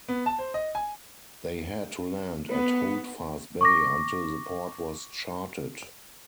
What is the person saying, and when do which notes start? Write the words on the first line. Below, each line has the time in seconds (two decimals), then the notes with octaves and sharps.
They had to land at Holdfast Bay until the port was charted.
0.09 B3
0.26 A5
0.39 C5
0.54 D#5
0.75 G#5
2.49 B3
3.61 C#6 D6 A#6